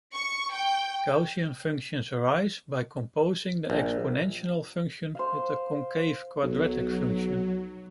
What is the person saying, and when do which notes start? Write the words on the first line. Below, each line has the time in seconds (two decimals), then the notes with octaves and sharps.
Gaussian functions arise by composing the exponential function with a concave quadratic function.
0.13 C#6
0.53 G5
3.70 A#1
5.15 C5 F5
6.43 B1 F#3